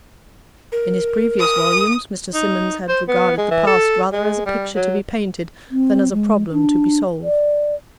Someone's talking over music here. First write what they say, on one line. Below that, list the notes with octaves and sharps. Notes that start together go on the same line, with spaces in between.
In his previous volumes Mr. Symonds had regarded the past rather as a picture to be painted than as a problem to be solved.
A#4
D#6
D#4
C5
B3
G#3
E3
A4
G#3
G3
F#3
C4
G#3
D4
D5